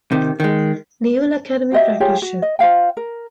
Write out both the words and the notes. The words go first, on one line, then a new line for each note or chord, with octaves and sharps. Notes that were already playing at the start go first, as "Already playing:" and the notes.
Naval Academy Practice Ship.
C3 D#3
D#3 G#3
F#4 G4 D#5 E5
F4 G4 G#4 C#5
F#4
D#5
F4 C5 F5 G5
A#4